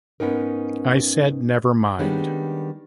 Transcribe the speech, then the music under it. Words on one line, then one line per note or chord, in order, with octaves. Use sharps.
I said “never mind”.
G#2 B3 C#4 D#4 A#4
D#3 G3 G#3 B3 C#4 D4